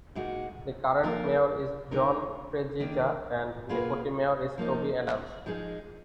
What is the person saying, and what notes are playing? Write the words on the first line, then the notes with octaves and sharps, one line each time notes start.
The current mayor is John Tregidga and deputy mayor is Toby Adams.
A#2 G#3 D#4 F#4
F3 A#3 F4 A#4
D2 D3 G#3 D#4 A#4
D#3 A#3 D4
B2 A#3 F4 G#4 B4
F3 A#3 D#4
F3 G#3 D#4 G#4